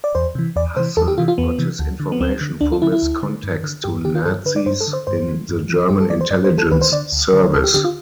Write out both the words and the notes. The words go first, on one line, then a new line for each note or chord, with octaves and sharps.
Hassel got his information from his contacts to nazis in the German intelligence service.
D5
E2 C5
C3 E3
E2 D5
C3 E3 C5
E2 A4
G4
C3 E3 F4
F4
E2 B3
C3 E3
D2
D3
B3
D2 C4
D3
D2 D4
F4
D3 E4
E4
D2
D3
G2
D3
G2 G4
D3 G4
F4
G2 A4
D3 B4
D5
G2 C5
A4
D3
C5
G2 C5
E3
G2
E3
G2 G4
A4
E3 D5
C5
G2 D5
C5
E3
A4
D2 B4
C5
D3 D5
D2
D3
D2 A4
G4
D3 G4
F4